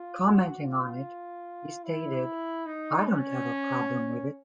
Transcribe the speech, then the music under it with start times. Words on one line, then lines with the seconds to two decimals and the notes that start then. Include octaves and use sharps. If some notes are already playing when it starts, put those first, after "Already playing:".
Commenting on it, he stated, I don't have a problem with it.
Already playing: F4
0.24 F#4
0.64 F4
1.85 E4
2.66 D#4
3.07 C#4